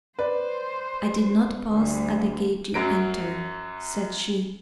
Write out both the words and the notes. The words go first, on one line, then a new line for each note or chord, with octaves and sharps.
"I did not pause at the gate you entered," said she.
B4 C5 D5
D2 G3
F#2 F#3 D7